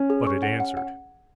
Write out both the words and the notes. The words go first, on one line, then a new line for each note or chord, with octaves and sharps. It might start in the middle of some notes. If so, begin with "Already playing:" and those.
But it answered.
Already playing: C#4
G#4
C#6
F#5
F#5
F#5